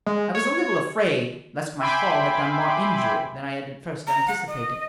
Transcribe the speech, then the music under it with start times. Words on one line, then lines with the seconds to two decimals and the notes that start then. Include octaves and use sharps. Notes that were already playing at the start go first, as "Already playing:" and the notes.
I was a little afraid lest my fall had done more injury than I had at first anticipated.
0.07 G#3
0.35 C#5
1.79 E5 G5 G#5 B5 C6 D6
4.07 A#5
4.28 F#5
4.48 D#5